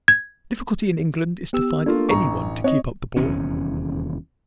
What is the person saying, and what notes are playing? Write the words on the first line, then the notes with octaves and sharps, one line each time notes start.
The difficulty in England is to find any one to keep up the ball.
G#6
B3 G4 E6
A3 A#3 D4 F4
A1 A#5 C#6
C4 C#5 D#5
D#1 E2 C3 C#4